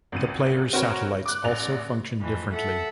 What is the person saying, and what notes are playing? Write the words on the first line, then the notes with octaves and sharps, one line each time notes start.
The player's satellites also function differently.
G#1 C#2 D#7
C4 F#4 A#4 B4 C#5
D6 F#6
A1 D5 F7
F2 E3
A4 E5 F#5